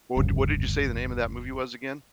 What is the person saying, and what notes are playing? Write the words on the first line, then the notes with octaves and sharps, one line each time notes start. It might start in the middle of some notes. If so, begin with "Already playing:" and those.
What d what did you say the name of that movie was, again?
F1 D2 G2 C#3